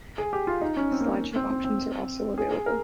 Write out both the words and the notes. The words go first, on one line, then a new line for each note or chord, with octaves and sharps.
Slideshow options are also available.
G#4
G4
F4
D#4
C#4
C4
A#3
C4
C4
C4
G#4
G#4
A#4